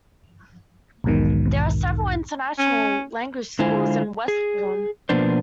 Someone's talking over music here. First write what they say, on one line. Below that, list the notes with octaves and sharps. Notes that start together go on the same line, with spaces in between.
There are several international language schools in Westbourne.
B1 E2 G#2 B2 D#3
C#4
D3 G#3 E4 F4 C5 G#5
G#4
B2 F3 A#3 B3 D4 C5